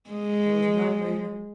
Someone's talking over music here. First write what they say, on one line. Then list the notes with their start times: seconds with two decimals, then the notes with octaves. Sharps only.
There was no movement.
0.11 G#3